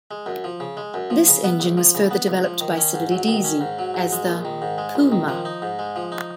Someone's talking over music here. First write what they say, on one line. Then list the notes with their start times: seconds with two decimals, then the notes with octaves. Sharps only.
This engine was further developed by Siddeley-Deasy as the Puma.
0.11 G#3
0.26 F#2
0.44 F3
0.60 C#3
0.77 G#3
0.94 F#2
1.10 F3
1.28 C#3
1.44 B3
1.60 C#2
1.77 F3
1.95 C#3
2.11 B3
2.28 C#2
2.44 F3
2.61 D#3
2.78 C#4
2.94 G#2
3.12 F#3
3.28 D#3
3.44 C#4
3.61 G#2
3.79 F#3
3.94 G#2
4.12 G#3
4.28 A#1
4.45 D#3
4.62 G#2
4.78 G#3
4.95 A#1
5.12 D#3
5.28 F3
5.45 D#4
5.62 G#2
5.79 G#3
5.96 F3
6.12 D#4